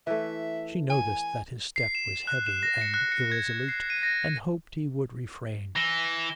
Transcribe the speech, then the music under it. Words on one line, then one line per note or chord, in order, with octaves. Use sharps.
She noticed that his step was heavy and irresolute and hoped he would refrain.
E3 A3 E5
G#5
C7
E7
F#6
E7
A#6
C#7
F#6
C#7
G#6
C7
D#7
A#6
E3 A#6 E7 G7